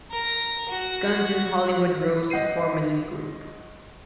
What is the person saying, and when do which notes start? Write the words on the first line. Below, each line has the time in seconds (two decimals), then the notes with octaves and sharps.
Guns and Hollywood Rose to form a new group.
0.11 A#4
0.69 F#4
2.30 D#5 F#5 G6 C7 D#7